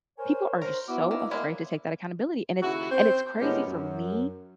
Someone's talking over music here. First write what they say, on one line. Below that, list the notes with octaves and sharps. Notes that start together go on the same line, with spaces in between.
people are just so afraid to take that accountability, and it's and it's crazy for me
A#4 C5 C#5 G#5
A#4 C5
B3 E4 F#4 D6
D#3 A#3
D#2 G#3 A#3 B3 E4 A#4
D#2 C#3 E4 F#4
C4 C5
A2 D#3 G#3 B3 C#4 G4
F#2